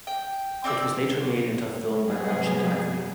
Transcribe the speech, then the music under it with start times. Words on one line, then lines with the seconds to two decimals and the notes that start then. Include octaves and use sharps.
It was later made into a film by Merchant Ivory.
0.07 G5
0.64 C4 D5 F#5 E6
2.03 C3 F#3 G3 B3 G#4